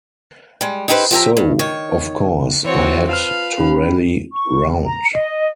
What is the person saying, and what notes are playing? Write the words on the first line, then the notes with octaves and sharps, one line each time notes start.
So, of course, I had to rally round.
G3 G#3
D#4 E4 G4 A4 B4 C5
F3 G4 E5 A#5
G2
D#3 C#5
E3 C4 F#4 C#5
F4 B4 F5 A5 F6
C#4 B5
C#6
A#5
D#5